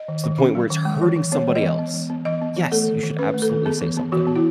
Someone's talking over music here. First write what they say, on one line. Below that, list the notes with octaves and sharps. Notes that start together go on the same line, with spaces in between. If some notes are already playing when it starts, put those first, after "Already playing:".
to the point where it's hurting somebody else yes, you should absolutely say something,
Already playing: D#5
D#3
D#3
C#4
F#3
D#3
G#3
E3
E3
B3 C#5
G#3
D#5
E3
B3
E3
B3
E3 D#5
B3
E3
A3 A4
D#3
D#3
C#4 B4
A3
A4
D#3
B3 G#4
E3
B3
E3 F#4
B3
E4